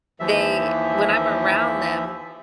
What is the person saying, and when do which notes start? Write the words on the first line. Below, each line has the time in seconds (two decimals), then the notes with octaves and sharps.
they when I'm around them,
0.20 D#2 E3 F3 E5